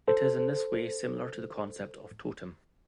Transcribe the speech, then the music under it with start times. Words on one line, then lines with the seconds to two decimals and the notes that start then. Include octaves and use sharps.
It is in this way similar to the concept of Totem.
0.08 A4 C5